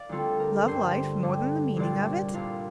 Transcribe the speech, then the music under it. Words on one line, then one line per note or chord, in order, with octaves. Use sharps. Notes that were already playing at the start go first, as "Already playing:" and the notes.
"Love life more than the meaning of it?"
Already playing: D5 F5
D2 D3 G3 C4 F4 A4
A#4
G2 D3 G3 C5
G2 D3 G3
C2 A#2 G3 D4 F4 D5
C2 A#2 G3 D4 F4 F5